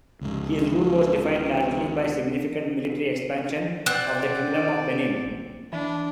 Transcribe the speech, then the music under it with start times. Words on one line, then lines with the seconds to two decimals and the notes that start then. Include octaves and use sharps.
His rule was defined largely by significant military expansion of the Kingdom of Benin.
0.21 C#2 G#2
3.86 B2 C4 D5 F#5 F#6 A6
4.52 A#4
5.25 A#1
5.73 E3 D4